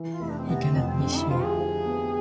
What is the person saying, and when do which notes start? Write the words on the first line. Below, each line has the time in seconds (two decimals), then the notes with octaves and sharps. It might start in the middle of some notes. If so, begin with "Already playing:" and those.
He cannot be sure.
Already playing: E3
0.13 F4
0.20 F1 E4
0.30 D4
0.38 C4
0.47 C3 B3
0.62 C4
0.75 F2 B3
0.89 C4
1.02 D3 C4
1.16 E4
1.30 F3 F4
1.44 G#4
1.57 F3
1.85 B3